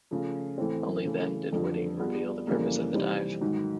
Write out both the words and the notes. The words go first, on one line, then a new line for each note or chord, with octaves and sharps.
Only then did Whiting reveal the purpose of the dive.
C#3 F3 A3
A2 E3 A3 C4
C#3 E3 A3
F2 D3 F3
G3 B3 D4 F4 G#4
F2 C#3 E3 G3 A#3
C3 E3 G3 C4 D#4
G#2 D#3 F#3